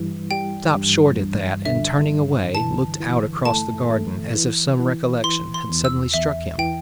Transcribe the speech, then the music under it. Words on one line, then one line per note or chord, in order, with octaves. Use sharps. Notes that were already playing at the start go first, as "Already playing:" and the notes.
He stopped short at that, and turning away, looked out across the garden as if some recollection had suddenly struck him.
Already playing: G2 E3 G3
G3 G5
G2
G2
D3 E5
G2
E3 A5
E3
A3 A5
A3
E3
E3
E3 C6
C6
E2
E6
E2 E5
E3 G5